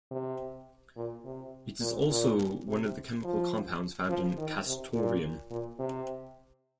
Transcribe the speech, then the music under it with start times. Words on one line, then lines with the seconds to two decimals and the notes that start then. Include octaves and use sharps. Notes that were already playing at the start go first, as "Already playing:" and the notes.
It is also one of the chemical compounds found in castoreum.
0.11 C3
0.96 A#2
1.25 C3
1.81 A#2
2.10 A#2
2.68 C3
3.24 F3
4.09 F3
4.38 D#3
4.67 C3
4.94 A#2
5.51 A#2
5.79 C3